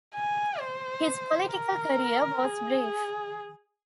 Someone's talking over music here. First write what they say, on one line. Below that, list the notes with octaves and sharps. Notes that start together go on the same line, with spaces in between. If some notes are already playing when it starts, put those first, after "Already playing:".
His political career was brief.
G#5
C5
A#4
G#4